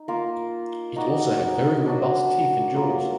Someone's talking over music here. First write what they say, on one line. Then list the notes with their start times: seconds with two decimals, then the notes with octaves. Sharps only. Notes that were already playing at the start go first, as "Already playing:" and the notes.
It also had very robust teeth and jaws.
Already playing: D#4
0.08 A#3 F4 A#4
0.96 D#4 F#4 D5
1.85 F#3 D4 F#4
2.74 F#3 A#3 F4 A#4